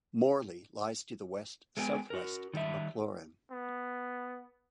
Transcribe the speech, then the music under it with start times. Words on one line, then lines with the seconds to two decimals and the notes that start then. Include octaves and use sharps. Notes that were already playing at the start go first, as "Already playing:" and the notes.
Morley lies to the west-southwest of Maclaurin.
1.77 G#3 A3 B3 G4 G5 G#5
2.10 F#4 A#4
2.53 D#3 G3 E5
3.51 B3